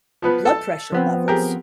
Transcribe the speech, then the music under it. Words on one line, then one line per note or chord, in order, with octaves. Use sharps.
blood pressure levels,
F3 B3 B4
A4 A5
F3 B3 C4
G4 G#4 A#4